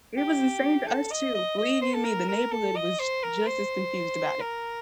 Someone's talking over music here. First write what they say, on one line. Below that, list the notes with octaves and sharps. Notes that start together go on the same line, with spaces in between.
It was insane to us, too, believe you me, the neighborhood was j just as confused about it.
G4
A4
D#5
D#5
D#5
C5
A4
A#4
A#4
A4
D#5
C5
A#4
C5
A#4